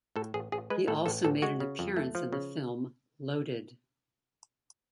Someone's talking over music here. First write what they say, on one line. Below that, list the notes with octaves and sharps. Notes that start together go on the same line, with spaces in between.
He also made an appearance in the film "Loaded".
A2 A4
A1 G#4
A1 G#4
G#3 B4
A2 A4
A1 A4
A1 A4
G#3 F#4
C#3
F2
A3
F3
C#3